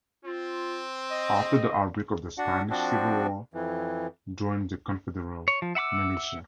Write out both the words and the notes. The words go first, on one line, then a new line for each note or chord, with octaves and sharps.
After the outbreak of the Spanish Civil War joined the confederal militias.
C4 F4
D#5
D4 F#4 F#5
F3 C4 D4 F#4
F2 E3
C#5
F3
E5 F#5 B5 D6 E6